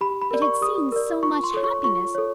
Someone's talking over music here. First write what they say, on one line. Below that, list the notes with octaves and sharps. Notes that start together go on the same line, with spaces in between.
It had seen so much happiness.
G4 B5
B5
A#4 D5
C#6
G4 D#6
A#4 D5
F4 C#6
C6
A4 C#5
C#6
F4 C#6
A4 C#5